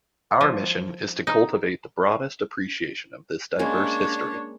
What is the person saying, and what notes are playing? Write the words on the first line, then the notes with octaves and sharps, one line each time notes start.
Our mission is to cultivate the broadest appreciation of this diverse history.
F3
D#4
G#3 A#3 C#4 D4 C#5